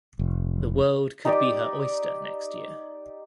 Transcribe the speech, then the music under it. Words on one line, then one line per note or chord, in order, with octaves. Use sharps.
The world could be her oyster next year.
F1
D#4 G4 D5 D#5